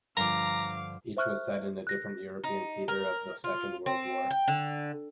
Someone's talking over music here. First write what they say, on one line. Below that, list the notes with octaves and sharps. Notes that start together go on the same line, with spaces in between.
Each was set in a different European theatre of the Second World War.
G2 D3 F3 F5 A#5 D6
C5 E5 C#6 F6 F#6
F#6 A#6
D#4
A#4
F4
C4
G5
D3